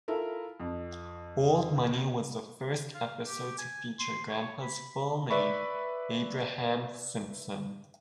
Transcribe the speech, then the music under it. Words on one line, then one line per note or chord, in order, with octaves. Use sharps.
"Old Money" was the first episode to feature Grampa's full name, Abraham Simpson.
E4 F4 A4 A#4
F2
F5
G4
G#5
C6
C#5
B5
B4 D5 E5 B5 C#6